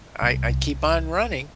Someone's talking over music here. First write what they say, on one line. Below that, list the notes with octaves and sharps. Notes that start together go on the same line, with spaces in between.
I I keep on running.
C2